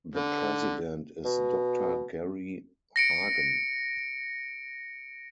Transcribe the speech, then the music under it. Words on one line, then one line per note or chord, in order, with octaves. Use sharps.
The president is Doctor Gary Hagen.
D3
B2
A#6 C#7 D7